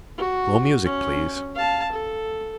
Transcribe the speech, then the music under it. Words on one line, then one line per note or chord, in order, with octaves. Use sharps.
Slow music, please.
F#4
C#4
F5 A5
A4